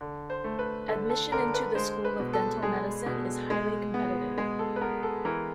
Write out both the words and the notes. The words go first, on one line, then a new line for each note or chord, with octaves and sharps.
Admission into the School of Dental Medicine is highly competitive.
D3
C5
A3
B4
D3 A4
A4
D3 A#4
B4
G#3 C5
B4
B2
A4
G#3 G#4
B2
G#3
B3
G#3 G#4
A4
B4
B3 A#4
A4
E3 A#4